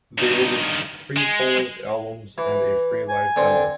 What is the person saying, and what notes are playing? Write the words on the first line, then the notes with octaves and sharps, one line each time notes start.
They released three full-length albums and a free live demo.
G2 D#3
G#3
E3
G#5
D3 C4 D4